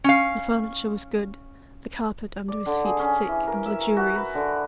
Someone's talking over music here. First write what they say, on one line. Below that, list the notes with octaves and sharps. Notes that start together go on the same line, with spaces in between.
The furniture was good, the carpet under his feet thick and luxurious.
C#4 F5
D5
D3
G#4
C#4
E3
A#4
E5
A#5
F#4
B4
D3